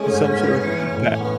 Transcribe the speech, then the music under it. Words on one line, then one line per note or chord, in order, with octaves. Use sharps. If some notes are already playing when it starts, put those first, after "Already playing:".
Some sort of m pa
Already playing: G#3 A3 C#4
G#2
B3
E3
A2
B3